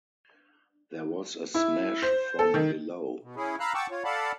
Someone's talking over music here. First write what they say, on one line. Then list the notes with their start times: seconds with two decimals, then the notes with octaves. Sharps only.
There was a smash from below.
1.54 E4
2.02 C5
2.39 A4
2.54 D#3
3.23 B2
3.36 C#4 E4 G#4
3.60 F5 A#5 B5 E6 F#6
3.74 F#5 G5 A5 C#6 D6 E6
3.91 F4 C#5
4.04 A4 D5 F5 F#5 A5 B5